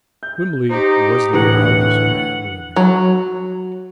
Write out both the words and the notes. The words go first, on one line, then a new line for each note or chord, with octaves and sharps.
Wimley was the mildest man living.
G6
D#4 G4 C5
D2 A2 E3 F#5
F#3